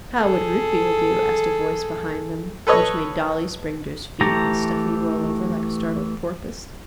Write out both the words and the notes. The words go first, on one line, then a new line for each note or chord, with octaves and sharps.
'How would root-beer do?' asked a voice behind them, which made Dolly spring to his feet and Stuffy roll over like a startled porpoise.
G#4 A4
A4 B4 C#5 D#5
E3 A3 G4 A#5